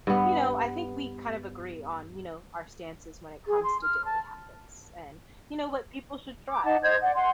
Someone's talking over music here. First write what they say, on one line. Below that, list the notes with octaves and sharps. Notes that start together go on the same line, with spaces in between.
you know I think we kind of agree on, you know, our stances when it comes to daily habits, and, you know, what people should try.
G2 B3
G#4
C6
F6
A5
D6
D#4 D#5 F#5 A5
C5 D#5 G6 G#6
D5 F#5
F#5 C6